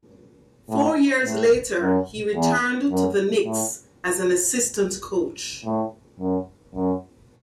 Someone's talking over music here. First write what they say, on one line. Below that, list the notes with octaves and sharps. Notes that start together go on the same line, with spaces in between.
Four years later, he returned to the Knicks as an assistant coach.
A2
A2
F#2
E2
F#2
A2
A2
F#2
F#2